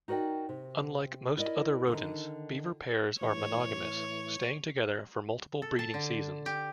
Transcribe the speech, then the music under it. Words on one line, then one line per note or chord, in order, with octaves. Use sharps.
Unlike most other rodents, beaver pairs are monogamous, staying together for multiple breeding seasons.
D#4 F#4 A#4 D5 G5
C3
E4 A#4 D5 D#5
D3 D#3
A2 E3 C#5
A4
A5
D3
G4